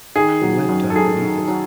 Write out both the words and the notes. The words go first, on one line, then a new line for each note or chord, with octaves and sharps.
He went down beneath it.
D#3 G#4
F#3
F#2
A4
F#2 G#4
D#3
F#3